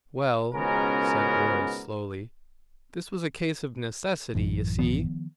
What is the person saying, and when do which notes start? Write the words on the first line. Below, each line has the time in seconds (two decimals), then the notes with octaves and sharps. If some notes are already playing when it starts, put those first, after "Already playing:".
"Well," said Roy slowly, "this was a case of necessity, you see."
0.55 C#2 G#2 B2 B3 C#4 A#4
4.35 A1 F#2 E3
4.79 D#3 F3 B3